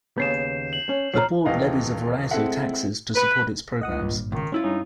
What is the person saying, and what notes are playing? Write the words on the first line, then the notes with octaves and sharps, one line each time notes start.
The board levies a variety of taxes to support its programs.
D#2 C#3 B3 G6 C7 E7
F#7
C#4
F3 F#3 A#5 F6 C7
D#1 G#1 E3 G4 D#5 F5
G#3 C4 E4 A4 E5 F#5
B4
C#2 D#5 F#5 D#6
G#1 G2 A#2
C#2 D#3
G#2 C#4 E4 F4
G2 C#4 D#4